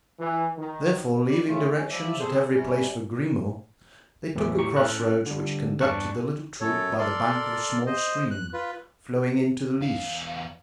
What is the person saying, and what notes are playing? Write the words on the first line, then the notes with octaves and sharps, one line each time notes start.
Therefore, leaving directions at every place for Grimaud, they took a crossroad which conducted the little troop by the bank of a small stream flowing into the Lys.
E3
D#3
G3 D5
A#2 C#3 A3 F4
C#3 C#4
F3 G3 D5 E5
G3 C4 G#4 A4 C5
C3 G3 C#4
E2 A2 E3 F#3 A3 D6
A2 G4 A#5 C#6
A2 C#4 A4 F6 F#6
D3 G3
E2 G2 D5 A5 C#6 F#6
F#2 A4 C#5
A4 A#4 D5 C6
C5 D#5
F#6
F4 B4
E2 F5